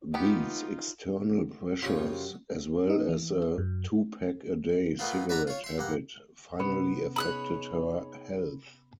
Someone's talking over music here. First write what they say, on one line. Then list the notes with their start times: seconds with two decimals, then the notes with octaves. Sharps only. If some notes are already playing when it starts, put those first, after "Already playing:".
These external pressures, as well as a two-pack-a-day cigarette habit, finally affected her health.
0.14 B3 D#4 F4 G4
1.82 F#2 C#3 F3 F#3 F4 G4 C#5 G#5
2.90 D#4
3.09 E3
3.58 F#2
4.99 A#2 A3 B3 D#4 F4
5.29 B4 D5 E5 F#5 A#5 B5
5.47 F4 C#5
5.64 E5 C6
5.78 G2 A#3 F#5
6.60 C3 B3 C#4
7.16 D#4 G#4 C#5 B5 D#6 F#6